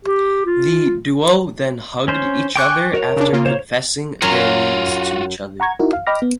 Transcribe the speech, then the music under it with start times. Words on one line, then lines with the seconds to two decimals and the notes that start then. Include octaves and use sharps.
The duo then hugged each other after confessing their needs to each other.
0.05 G4
0.46 F4
2.08 C#4 C5
2.56 G5 G#5 C#6 D6 F#6 G6
2.94 F#4 A#4 C#5
3.16 C#3 D4
3.32 C#3 A#3 F4
3.46 C5 C#5
4.22 F#2 F#3 F4 F#4 F5
5.60 F#5 A#5 C#6 G#6
5.79 D#4 E4 F#4 A#4
5.93 F5
6.07 D#5 G5 B5 D6 F6 A#6
6.22 B3